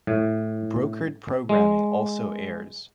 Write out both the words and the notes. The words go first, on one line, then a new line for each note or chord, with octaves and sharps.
Brokered programming also airs.
A2
G#3